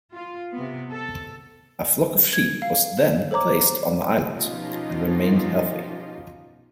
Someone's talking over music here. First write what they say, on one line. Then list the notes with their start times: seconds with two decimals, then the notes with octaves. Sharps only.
A flock of sheep was then placed on the island and remained healthy.
0.14 F4
0.53 C3 B3
0.91 A4
2.33 G#6
2.62 F5
3.31 A4 C5 C#5 A#5 D6
4.34 B2 F3 C#4 D#4 F4 G4